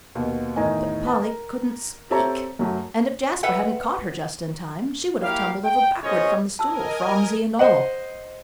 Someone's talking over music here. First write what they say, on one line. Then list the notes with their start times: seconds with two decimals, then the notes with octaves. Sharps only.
But Polly couldn't speak; and if Jasper hadn't caught her just in time, she would have tumbled over backward from the stool, Phronsie and all!
0.15 D#2 B2
0.56 E2 A2 D#3 D#4 D#5 G#5
1.05 B4 A5
1.22 A#4
2.11 C4 G4 A4 C#5 E5 A#5
2.59 F#2 F#3 A3
3.43 B4 E5 F#5 G5
5.22 A#3 E4 G4 F5
5.64 G5
6.02 B1 C#4 G#4 C5 C#5 D#5
6.59 A#4 D#5 G#5 A5 E6
7.59 C5 D#5 F#5